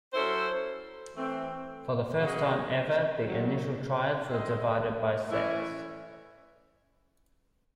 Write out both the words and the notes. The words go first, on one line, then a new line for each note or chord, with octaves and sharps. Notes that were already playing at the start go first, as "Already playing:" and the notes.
For the first time ever, the initial tribes were divided by sex.
F#3 C#4 E4 A4 C5
E3 A3 C4
C#3 F#3 C#4 G#4 D#5
C3 D#3 F#3
C4 E4 C5 D#5
E3 A3 C#4 E4